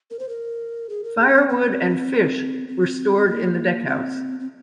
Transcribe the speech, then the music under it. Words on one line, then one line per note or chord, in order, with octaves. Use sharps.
Firewood and fish were stored in the deckhouse.
A#4
C5
A#4
G#4
A#4
G#4
C#4
C4
C4
C4
C4
A#3
C4
C4